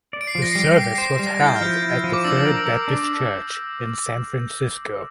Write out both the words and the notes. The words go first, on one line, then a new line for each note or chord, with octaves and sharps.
The service was held at the Third Baptist Church in San Francisco.
D5
D7
C7
F3
A#6
G3 C7
A#6
G4 C7
A#6
C5 C7
A#6
G3 C7
A#6
E4 A6
G6
F6
F3 G6
E4
F3
D6
D4 E6
A#4
A#4
D4